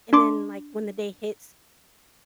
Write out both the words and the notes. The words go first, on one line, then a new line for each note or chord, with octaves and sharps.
and then, like, when the day hits
D4 C6 D6